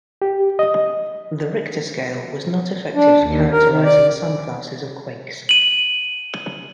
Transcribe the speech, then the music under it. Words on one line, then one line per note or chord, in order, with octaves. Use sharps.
The Richter scale was not effective for characterizing some classes of quakes.
G4
D#5
D4
D#2
A#4
D#3
D5
D#7 F#7